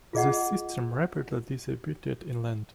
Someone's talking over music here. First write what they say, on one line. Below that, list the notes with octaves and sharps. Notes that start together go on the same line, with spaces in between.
The system rapidly dissipated inland.
F4 G#4 D#5 F#5